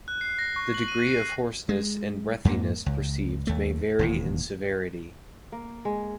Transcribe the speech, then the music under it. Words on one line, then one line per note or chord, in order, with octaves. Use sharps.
The degree of hoarseness and breathiness perceived may vary in severity.
F#6
C7
A#6
C#6
F#7
D#7
C7
G#3
F2 G#2 A#3
C#2
D#2 A3
E1 D#2 A2
A#3
G#3